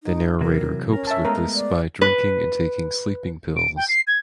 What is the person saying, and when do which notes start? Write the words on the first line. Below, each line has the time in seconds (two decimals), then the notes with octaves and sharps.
The narrator copes with this by drinking and taking sleeping pills.
0.04 D#4
0.41 C3 E3 F#3 A#4
0.93 C#4 A#4
1.07 E5 A5
1.25 G#3 A3 B3 A#4
1.55 D5
2.01 B4
3.56 D7
3.76 G5
3.88 C7
4.07 G#6